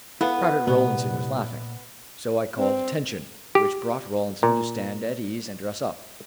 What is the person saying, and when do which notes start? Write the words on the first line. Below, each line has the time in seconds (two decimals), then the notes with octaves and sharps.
Private Rollinson was laughing, so I called "Attention!" which brought Rollinson to stand at ease and dress up.
0.21 B3 E4 A4 F5
0.67 C2 A#2 B3
2.58 C4
3.55 G4
4.43 A#2